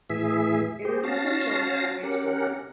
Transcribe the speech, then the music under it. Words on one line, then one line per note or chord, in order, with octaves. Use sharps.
It is essential that I wait for him.
A2 E3 G#4 E5
G4 G#4 C5
C#4 F#4 F5 A5 A#6
C#4 G4 A#4 F#5